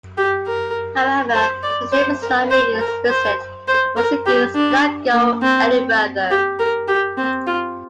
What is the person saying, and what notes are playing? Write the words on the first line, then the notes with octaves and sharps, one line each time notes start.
However, his name was not made explicit and proceedings did not go any further.
G4
A#4
C5
D5
C5
A#4
C5
A#4
C5
C5
A#4
G4
D4
A#3
C4
G4
A#4
G4
C4
F4